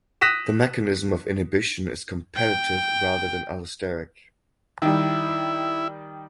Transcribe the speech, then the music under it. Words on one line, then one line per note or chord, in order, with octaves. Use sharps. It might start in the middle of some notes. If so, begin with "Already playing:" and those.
The mechanism of inhibition is competitive rather than allosteric.
D#6 F#6 A#6 B6 D#7 E7
G5
D#3 G3 E4